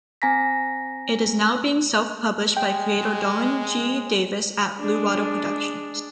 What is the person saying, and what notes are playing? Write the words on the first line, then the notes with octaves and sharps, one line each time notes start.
It is now being self-published by creator Darren G. Davis at Bluewater Productions.
C4 G#5 A#5 A#6 B6
G#3 G5
G#3 D4